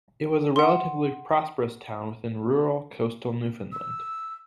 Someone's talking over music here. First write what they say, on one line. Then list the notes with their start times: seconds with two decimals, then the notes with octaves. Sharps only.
It was a relatively prosperous town within rural, coastal Newfoundland.
0.56 F#5 C6
3.72 E6